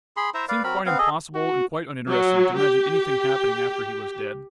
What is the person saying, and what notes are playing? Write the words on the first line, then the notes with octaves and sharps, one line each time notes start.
It seemed quite impossible and quite uninteresting to imagine anything happening after he was dead.
G#4 B5 C6
E4 C5 E5 A#5
B4 D5 F5
F#3 C4 A#4 B5
B3 C4 B4 F5
G#4 A4 D#5
F#4
F#3
G4